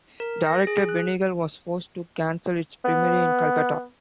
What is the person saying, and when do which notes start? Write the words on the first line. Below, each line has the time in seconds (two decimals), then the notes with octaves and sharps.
Director Benegal was forced to cancel its premiere in Calcutta.
0.20 A#4
0.46 A#6
0.67 G#4
0.89 F#6
2.85 B3